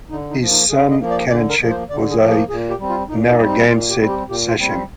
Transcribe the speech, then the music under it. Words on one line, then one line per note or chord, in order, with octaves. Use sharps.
His son Canonchet was a Narragansett sachem.
D3 D#4
D#4
F3 A#3
D#4
D3 G#4
D#5
F3 A#3
D5
D3 D5
A#4
F3 A#3
C5
D3 D5
G#4
F3 A#3
G#4
A#2 G#4
G4
G3 C4
F4
A#2 D#4
D#4
G3 C4
D#4
A#2 F4
G4
G3 C4
G4
A#2 G4
F4
G3 C4
F4